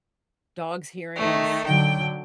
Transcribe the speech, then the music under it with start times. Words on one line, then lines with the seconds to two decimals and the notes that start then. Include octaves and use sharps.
dog's hearing is
1.16 D#3 A3
1.66 D3 F#3 G5